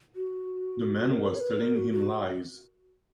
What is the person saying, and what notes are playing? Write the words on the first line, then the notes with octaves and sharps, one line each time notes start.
The man was telling him lies.
F#4
A#4
C#5
B4
A#4
F#4
F#4